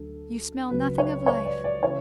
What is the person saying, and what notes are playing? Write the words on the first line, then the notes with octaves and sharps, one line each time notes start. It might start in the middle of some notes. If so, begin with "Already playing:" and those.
You smell nothing of life.
Already playing: D2 D3 F#3 A4
C#2 C#3 F#3 B4
C#5
C#5
D5
D5
C#3 E3 C#5